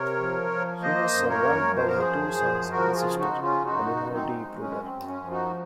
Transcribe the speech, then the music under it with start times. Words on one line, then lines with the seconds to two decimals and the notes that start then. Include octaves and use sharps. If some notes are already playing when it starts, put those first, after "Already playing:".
She was survived by her two sons and a sister, Elinor Dee Pruder.
Already playing: C3 A#4 C#5
0.19 F3
0.51 F3
0.82 A#3 C5 D#5
1.13 F#2
1.29 A#4 C#5
1.45 F#2
1.76 F3 C5
1.87 A#4
1.98 G#4 C5
2.08 F#2
2.39 F3
2.71 F3 F#4 A#4
2.95 F4 G#4
3.02 C#3
3.18 D#4 F#4
3.34 C#3
3.42 C#4 F4
3.65 F#2 D#4 F#4
3.97 F#2
4.12 C4 D#4
4.29 G#3
4.60 F#2 C#4
4.84 C4
4.92 F#2
5.07 C#4
5.23 F3
5.30 D#4 F#4